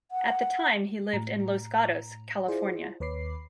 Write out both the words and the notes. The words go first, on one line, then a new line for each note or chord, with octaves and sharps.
At the time he lived in Los Gatos, California.
F#5
A2 A#5
E4 F4 G#4 C5 D5
D#2 B4 C#5 B5 D6 C7